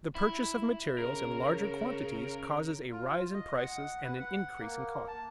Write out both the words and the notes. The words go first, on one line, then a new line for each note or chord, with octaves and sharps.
The purchase of materials in larger quantities causes a rise in prices and an increase in costs.
E4
C#3 A#4
F4
D#5
F#5
B4
F#5
A#3
A5